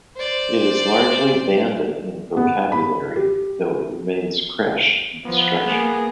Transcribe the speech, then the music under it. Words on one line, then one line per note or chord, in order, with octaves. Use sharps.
It is largely Banda in vocabulary, though it remains Kresh in structure.
C5 D5
B3
B5
G4
F3 B3
A#3 G#4